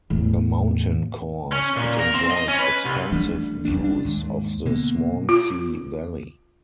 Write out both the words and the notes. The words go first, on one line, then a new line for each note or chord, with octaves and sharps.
A mountain course, it enjoys expansive views of the Swansea Valley.
E2 A2
C#4
A#2
A#4
C4
D#5
C#4
B4
C2
E3 G3 A3 D4
E1 B1 E2 D4
G3 D4
D#2 G#2
B2 D3 A#3
F4